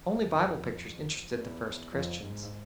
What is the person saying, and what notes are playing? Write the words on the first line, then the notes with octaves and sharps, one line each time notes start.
Only Bible pictures interested the first Christians.
F2
E2
F2
G#2